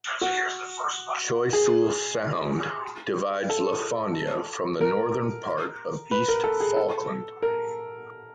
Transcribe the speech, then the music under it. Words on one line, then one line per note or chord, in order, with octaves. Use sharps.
Choiseul Sound divides Lafonia from the northern part of East Falkland.
F#4
G#4
A4
A#4
B4
A#4
A4
G#4
A4
A#4